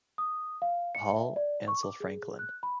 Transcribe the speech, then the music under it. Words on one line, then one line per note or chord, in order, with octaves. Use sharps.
Hall, Ansel Franklin.
D#6
F5
C#7
E5
D5
C#6
D6
G#4
F#6
B5